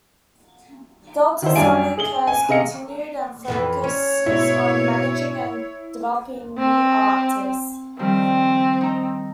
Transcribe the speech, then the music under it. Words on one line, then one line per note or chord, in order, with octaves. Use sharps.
Deltasonic has continued and focuses on managing and developing new artists.
D#3 E4 C5
F#2 G3 D4 F5 G#5 D7
G#4 F#7 G7
G#5
C3 G#4 D#5 F5 C#7
F2 E3 B4
C#4 C#5
G#2 B2 E4
C4
D#3 F3 G3 C4
D#4 A#5